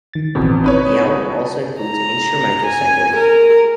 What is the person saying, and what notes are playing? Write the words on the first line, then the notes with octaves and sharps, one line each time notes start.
The album also includes instrumental segues.
D#3 A6
A1 E2 B2 C4
C4 D#4 B4 C#5
A5
A#5
G#5
A#4